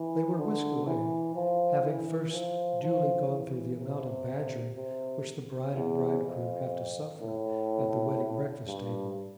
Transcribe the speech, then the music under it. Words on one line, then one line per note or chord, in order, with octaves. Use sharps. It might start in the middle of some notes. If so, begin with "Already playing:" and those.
They were whisked away, having first duly gone through the amount of badgering which the bride and bridegroom have to suffer at the wedding breakfast-table.
Already playing: E3
D3
E3
F3
E3
F3
F3
E3
C3
C3
E2
F2
A2
G2